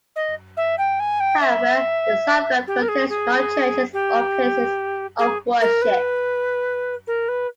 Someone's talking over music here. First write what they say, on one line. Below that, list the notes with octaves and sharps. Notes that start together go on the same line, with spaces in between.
However, the suburb contains no churches or places of worship.
D#5
E5
G5
G#5
G5
E5
G4
A#4
G#4
G#4
G4
G#4
A#4
B4
A#4
B4